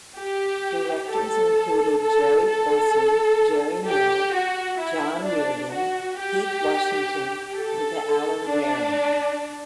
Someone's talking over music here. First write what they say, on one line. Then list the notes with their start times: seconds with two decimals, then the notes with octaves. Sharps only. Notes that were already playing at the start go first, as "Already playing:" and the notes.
Directors included Gerry Poulson, Gerry Mill, John Reardon, Keith Washington and Alan Wareing.
0.17 G4
1.09 A4
2.01 A4
2.48 A4
3.87 G4
4.34 F#4
4.79 E4
5.25 D4
5.72 F#4
6.19 G4
7.57 A4
8.49 D4